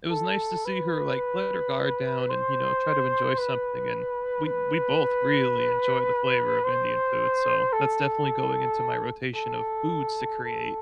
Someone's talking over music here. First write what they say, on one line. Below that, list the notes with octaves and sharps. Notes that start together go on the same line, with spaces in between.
it was nice to see her, like, let her guard down and, you know, try to enjoy something, and we we both really enjoy the flavor of Indian food, so that's definitely going into my rotation of foods to create.
A4
B4
C5
B4
B4
C5
A4
A4
A4